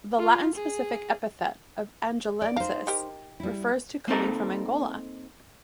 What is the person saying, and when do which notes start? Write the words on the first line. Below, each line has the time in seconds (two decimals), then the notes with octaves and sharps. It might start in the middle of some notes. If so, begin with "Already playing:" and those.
The Latin specific epithet of "angolensis" refers to coming from Angola.
0.18 F4
0.56 G#4
2.42 D5
2.56 D#4 C5 F5 A#5
2.87 D#3 G4 A#4
3.40 G3 E4
4.08 A#3 C4 D#4 A4 A#4